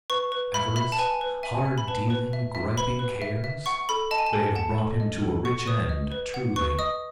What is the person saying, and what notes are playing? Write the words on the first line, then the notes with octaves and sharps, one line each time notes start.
Avarice, hard-dealing, griping cares? They have brought him to a rich end, truly!
B4 C#6
B4
E5 B5
E5 B5
A5
B4 G#5
B4
E5 G#5
E5
B5
B4 A5
B4
E5
E5
B4 B5
B4
E5
E5
F#5 C#6
A4 B5
D#5 A5
G#5
A5
A4
F#5 A5
A4
D#5
A4
F#5 C#6
B4 D#6
D#5
B4
F#5
B4 C#6
D#5 D#6